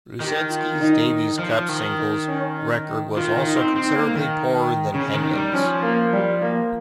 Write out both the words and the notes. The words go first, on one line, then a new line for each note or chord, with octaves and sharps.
Rusedski's Davis Cup singles record was also considerably poorer than Henman's.
D#3 G4
F4
D#4
F3
D#3
D#4
C#4
D#4
D#3 F4
D#3
D#4
C4
C4 D#4
A#3
D#3
C#3 C#4
D#3
D#4
G3
F3 C#4
A#3
G3
A#3